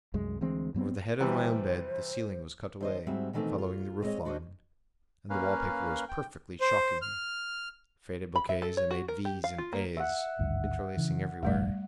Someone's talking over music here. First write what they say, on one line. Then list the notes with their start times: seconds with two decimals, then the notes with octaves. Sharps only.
Over the head of my own bed the ceiling was cut away, following the roof-line; and the wallpaper was perfectly shocking--faded bouquets that made V's and A's, interlacing everywhere.
0.14 C2 F#2 G#3
0.41 D2 E3 G#3 C4
0.74 G2 F#3 B3 C4
1.20 C3 E3 G3 C5
2.81 D#2 C5 D#5
3.07 G#2 G3 C4 F#4 C5 E5
3.33 B2 D#3 E3 A3 C4 D#4
3.58 F4
4.02 G#3 C4 C#4 F#4 C#5 D#5
4.25 D4 F#4 C5 D5 D#5
5.30 A#3 C#4 B4 F5
6.09 G5
6.61 C5
7.02 F6
8.36 B5
8.49 E5
8.62 A4
8.77 C#5
8.91 F#4
9.08 A#4
9.25 G4
9.44 F5
9.58 F4
9.73 A#3
9.97 E5 F#5
10.39 G#1 D2 G2
10.97 C#3 E3
11.43 F1 A#1 G2 G3 A3 D5